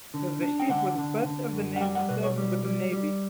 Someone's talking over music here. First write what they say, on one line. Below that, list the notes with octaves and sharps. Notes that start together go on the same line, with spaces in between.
The ship was the first of the name to serve with the navy.
D3
D4
G5
D3 F#5
D3
D3
F#2
F#5
G3 G5
F#5
B2 B4
C#5
G3
G3
G3